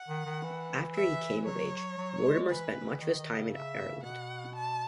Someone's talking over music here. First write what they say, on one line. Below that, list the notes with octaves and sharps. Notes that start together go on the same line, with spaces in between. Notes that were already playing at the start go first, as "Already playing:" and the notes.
After he came of age, Mortimer spent much of his time in Ireland.
Already playing: F#5
D#3
D#3
E3
E5
F#3 C#5
F#3
G#3
E3 B4
D#3 D#5
D#3
C#3
E5
B2 F#5
A5